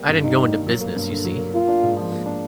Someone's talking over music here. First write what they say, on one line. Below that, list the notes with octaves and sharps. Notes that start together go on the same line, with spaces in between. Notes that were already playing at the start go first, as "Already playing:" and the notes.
I didn't go into business, you see.
Already playing: G3 A#3
G2
D#3 D#4
G3
A#3
F#3
A#3
G2
D3
F#3
A#3
A#3 F4
D4
G#2
F3
A#3
D4